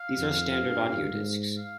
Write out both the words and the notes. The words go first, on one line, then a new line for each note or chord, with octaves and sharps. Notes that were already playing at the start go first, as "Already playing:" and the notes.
These are standard audio discs.
Already playing: F5
F2
G2
G#2
F5